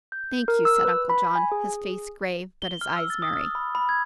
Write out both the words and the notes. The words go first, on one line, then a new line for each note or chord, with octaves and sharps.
"Thank you," said Uncle John, his face grave but his eyes merry.
G6
A#4
E6
B4
B5
G#5
G#4
G7
F6
E6
A6
D#6
F6
B5
B5
G#6